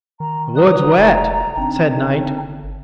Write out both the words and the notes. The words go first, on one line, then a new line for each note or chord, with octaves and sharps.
"The wood's wet," said Knight.
D#3 A#5
G3 B4 A#5 D#6
F1 D5
G1 C4 D4 D#4